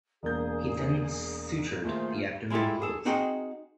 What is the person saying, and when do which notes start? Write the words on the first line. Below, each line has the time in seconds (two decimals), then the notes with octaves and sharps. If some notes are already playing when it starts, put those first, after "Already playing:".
He then sutured the abdomen closed.
0.23 E1 A#3 G#4 D#6 G6
1.84 A#2 D#3 A3 F4 G#4 C5
2.50 G#3 E4 F4 G4 A4
2.82 G#4 A4
3.05 C4 D#4 F#4 G#4 G5